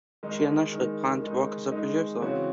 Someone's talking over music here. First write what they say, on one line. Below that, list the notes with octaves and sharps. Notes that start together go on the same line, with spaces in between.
She initially planned to work as a producer.
D#3 G#3 D#4
D#3 G#3 D#4
D#3 G#3 D#4
D#3 G#3 D#4
C#3 E3 C4 F#4 C#5